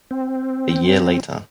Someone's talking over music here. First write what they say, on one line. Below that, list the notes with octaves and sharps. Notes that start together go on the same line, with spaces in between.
A year later.
C4